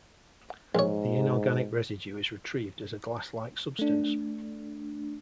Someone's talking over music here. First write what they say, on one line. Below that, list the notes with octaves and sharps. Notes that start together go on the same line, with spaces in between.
The inorganic residue is retrieved as a glass like substance.
A#1 G#2 C#5
A3 D4